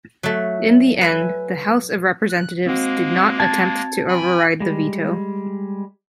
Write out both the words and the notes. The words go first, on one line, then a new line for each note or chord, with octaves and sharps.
In the end, the House of Representatives did not attempt to override the veto.
F#3 A3
B4 E5 G#5
F#6
G#3 A#3 C4 F#4
A5 G#6 A6
G5 G#5 B5
G3 G#3